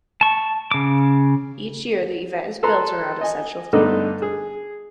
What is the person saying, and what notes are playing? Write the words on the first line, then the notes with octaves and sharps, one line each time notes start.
Each year the event is built around a central theme.
A5 C#6
C#3 D6
A4 B4 A#5 C6
D#5 G#5
G2 D3 A3 B3 D4 D#4
G#4